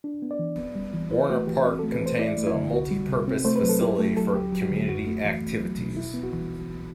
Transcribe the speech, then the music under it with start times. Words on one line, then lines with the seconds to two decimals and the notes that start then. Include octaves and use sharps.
Warner Park contains a multi-purpose facility for community activities.
0.04 D4
0.22 B3
0.31 D5
0.39 E3
0.58 B3
0.75 G3
0.94 E3
1.11 E4 B4
1.30 A3 F#4
1.47 E3 G4
1.65 C4 F#4
1.79 A3 A4
1.92 B4
2.01 E3
2.06 C5
2.19 E4 D5
2.38 A3
2.47 E4
2.55 D3
2.73 C2 F#4
2.91 G3
3.08 C3
3.28 C4
3.45 A3 C5
3.56 B4
3.63 F#3
3.69 A4
3.81 E4 G4
3.99 A3 A4
4.17 F#3 A4
4.34 D2 G4
4.52 F#3
4.61 F#4
4.71 D3
4.89 F#2 F#4
5.06 A3
5.24 E3
5.42 A3
5.60 F#3
5.78 B2
5.97 E4
6.14 B3
6.23 F#4
6.32 E3